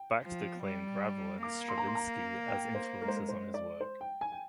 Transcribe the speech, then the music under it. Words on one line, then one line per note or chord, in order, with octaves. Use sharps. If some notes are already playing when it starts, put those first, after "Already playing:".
Baxter claimed Ravel and Stravinsky as influences on his work.
Already playing: G5
F3
G3
A#3 D6
C6
A#5
C6
A#5
G5
C5
G#3 A#4
C5
A#4
C5
D5
C5
G5
G#5
G5